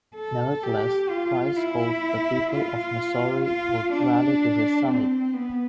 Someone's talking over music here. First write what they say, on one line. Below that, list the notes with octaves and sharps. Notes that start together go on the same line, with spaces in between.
Nevertheless, Price hoped the people of Missouri would rally to his side.
A4
G4
F4
E4
F4
F4
D4
C4
B3